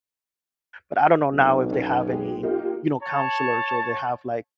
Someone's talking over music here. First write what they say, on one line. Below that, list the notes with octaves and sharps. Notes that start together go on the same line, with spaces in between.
but I don't know now if they have any, you know, counselors or they have like,
B1
F#2 C#4
G#3 G4 G#4
A#3 D#4 F4 G4
C#5 A5